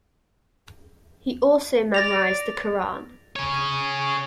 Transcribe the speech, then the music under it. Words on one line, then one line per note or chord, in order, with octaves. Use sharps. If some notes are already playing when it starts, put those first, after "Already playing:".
He also memorised the Qur'an.
D5 A6 A#6 F7
G#4 C#5